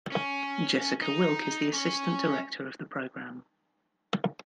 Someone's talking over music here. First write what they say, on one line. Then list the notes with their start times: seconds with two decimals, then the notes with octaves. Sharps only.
Jessica Wilke is the Assistant director of the program.
0.12 C#4
1.01 D#4
1.73 C#4